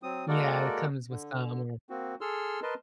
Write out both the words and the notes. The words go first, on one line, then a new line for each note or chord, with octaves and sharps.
Yeah, it comes with some or
F#3 C4 D#6
G#3 A#3 F#4 A4 A#4 D5
D3
A#3 C4 F#4
G#4 A4 C6 E6 F6
A#4 B4 D#5 A5 C6